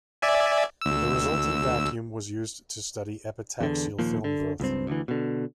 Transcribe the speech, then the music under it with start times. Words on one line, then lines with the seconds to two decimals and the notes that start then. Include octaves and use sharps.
The resulting vacuum was used to study epitaxial film growth.
0.22 D5 E5 G#5
0.81 D2 E6
3.60 E2 D3
3.99 D#2 A#2 F3
4.24 D3
4.60 C#2 G2 C4
4.87 D2 D3 E3
5.08 B2 D3